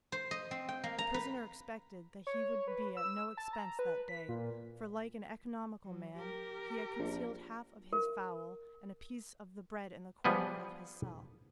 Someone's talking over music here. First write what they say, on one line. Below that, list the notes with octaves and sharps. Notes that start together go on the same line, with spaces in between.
The prisoner expected that he would be at no expense that day, for like an economical man he had concealed half of his fowl and a piece of the bread in the corner of his cell.
C5
D#5
C4
G5
A#3
A#5
B4
C#5
B4
E6
A5
A#5
B4
B6
A#2
F#3
G4 A#4
A#1
A#4
F3 G3 B3 G#4 B4